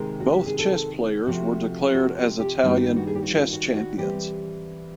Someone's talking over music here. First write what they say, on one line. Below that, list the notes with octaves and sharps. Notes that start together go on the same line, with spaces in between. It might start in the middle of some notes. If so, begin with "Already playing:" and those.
Both chess players were declared as Italian chess champions.
Already playing: C3 D#3 G#3 C4 A#4
F#4
G4
G#4
A4
C3 F3 A3 C4 F#4
F#4
G4
G4
G2 D#3 G3 A#3 D#4
F#4
G#4
G4
F#4
F4
F#4
F#4
E3 G3 C4 G4